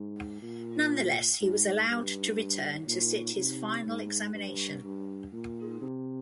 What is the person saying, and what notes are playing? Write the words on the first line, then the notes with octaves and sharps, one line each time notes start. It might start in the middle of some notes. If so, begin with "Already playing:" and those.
Nonetheless, he was allowed to return to sit his final examination.
Already playing: G#2
A#2
G#2
G2
A#2
C3
G#2
G2
G2
A#2
C3